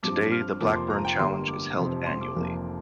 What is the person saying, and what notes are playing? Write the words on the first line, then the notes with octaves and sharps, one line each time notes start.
Today, the Blackburn Challenge is held annually.
G2 F3 C4 D6
F6
F1 F2 F3 A#3 D6
C6
A#5
G5
G1 G2 G3 A#3 C6
D6
F1 F2 C3 F3 C4
C6
D6
F1 F2 F3 A#3